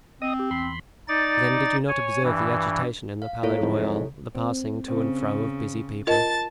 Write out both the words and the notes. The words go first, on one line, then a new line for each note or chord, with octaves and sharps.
Then did you not observe the agitation in the Palais Royal, the passing to and fro of busy people?
C4 D#5 D#6
G4
E2 B5 C6
D#4 D5 A6
C#5 G#5
G2 E3
F5
A#2 E4 A4 C#5
D1 F2 G#2
C4
C#3 C4
F4 A#4 D#5 A5 A6